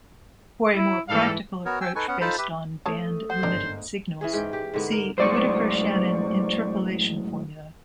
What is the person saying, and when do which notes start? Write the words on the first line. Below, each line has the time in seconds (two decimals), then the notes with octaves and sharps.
For a more practical approach based on band-limited signals, see Whittaker-Shannon interpolation formula.
0.76 E4
1.08 G#2 E3 G3 A4 F5
1.65 B3 F#4 A#4 C#5
1.81 G5 G#5 E6
1.96 D#4 A4 B4 G#5 C#6
2.08 B3 C#4 F#5
2.21 D#4 F4 A4 C5 A5 B5
2.38 G4 B4 E5
2.86 E3 A3 C#5 A5 D#6
3.30 C5 F#5
3.43 G1 G#2 C4 D4 A#4
4.21 E3 C#4 G#4
4.34 G#2 G5
4.53 G4
4.73 G#2 D3 B3
4.92 A#4
5.18 F#2 A2 G#3 C5 D5 C#6